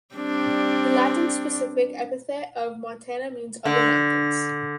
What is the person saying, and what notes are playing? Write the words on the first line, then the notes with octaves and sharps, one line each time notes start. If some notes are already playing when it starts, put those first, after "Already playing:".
The Latin specific epithet of "montana" means "of the mountains".
G3 C4 D4
D3